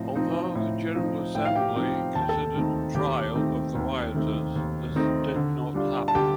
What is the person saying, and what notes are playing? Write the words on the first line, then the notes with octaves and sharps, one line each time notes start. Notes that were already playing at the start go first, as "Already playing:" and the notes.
Although the General Assembly considered trial of the rioters this did not happen.
Already playing: A2 F3 C4 D#4
F3 C4 D#4
A2
F3 C4 D#4
A2 G5
F5
G4 G5
F3 C4 D#4
D#2 A5
G5
A4 A5
D#3 A3 C4 D#4
D#2 G4 G5
D#3 A3 C4 D#4
D#2
D#3 A3 C4 D#4
D#2
D#3 A3 C4 D#4
D3
G3 D4 F4
A5
D3 G4 G5